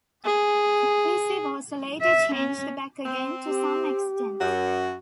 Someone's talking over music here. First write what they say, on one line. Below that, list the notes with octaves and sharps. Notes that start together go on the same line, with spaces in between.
The policy was later changed back again to some extent.
G#4
E5
C#4
C4
G4
F#2 F#4